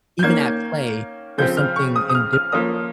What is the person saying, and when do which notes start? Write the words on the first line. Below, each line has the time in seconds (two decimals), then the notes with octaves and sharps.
even at play, there's something indifference
0.19 G6
0.23 D#3 A#3 C#4 G#6
1.38 C#3 F3 C4 G6
1.57 F6
1.76 C#6
1.96 D#6
2.09 D#6
2.15 F6
2.33 F6
2.52 F3 A#3 C#4 D#6